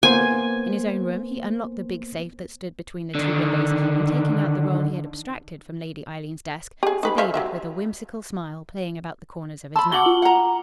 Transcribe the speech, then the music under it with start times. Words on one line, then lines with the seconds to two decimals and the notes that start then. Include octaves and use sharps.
In his own room, he unlocked the big safe that stood between the two windows, and taking out the roll he had abstracted from Lady Eileen's desk, surveyed it with a whimsical smile playing about the corners of his mouth.
0.03 A#3 B3 C5 G#5
3.15 D3 D#3
6.83 G4 G#4
7.03 D#4 B4 B5
7.18 C5 E5 F5
7.34 F#3 G4 E5
9.76 A5 B5 C6 E6
9.92 F#4 F#5 D6 F#7 G7
10.06 F4
10.22 F#5 A#5